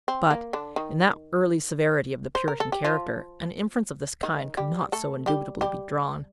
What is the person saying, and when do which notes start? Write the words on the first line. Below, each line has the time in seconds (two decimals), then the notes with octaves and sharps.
But, in that early severity of the Puritan character, an inference of this kind could not so indubitably be drawn.
0.08 C4
0.30 A#3
0.53 D3 D4
0.76 D#3 D#4
2.35 C5
2.48 A#4
2.60 A4
2.72 G4
2.84 F3 F4
4.23 D#3 D#4
4.57 G3 G4
4.92 A3 A4
5.26 G3 G4
5.61 G3 G4